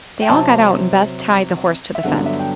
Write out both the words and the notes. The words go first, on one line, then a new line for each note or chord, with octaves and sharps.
They all got out and Beth tied the horse to the fence.
G5
C3 F#3 C4 A5
E5
G2 D3 F#3 B3 D4 F#5
E5
G5